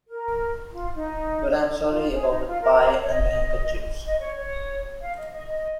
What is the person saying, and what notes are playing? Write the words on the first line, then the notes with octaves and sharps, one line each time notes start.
But I’m sorry about that pie and the handkerchiefs.
A#4
F4
D#4
D#4
F4
G#4
D#4
F4
A#4
C#5
D#5
D#5
C#5
C#5
F5
D#5
D#5
D#5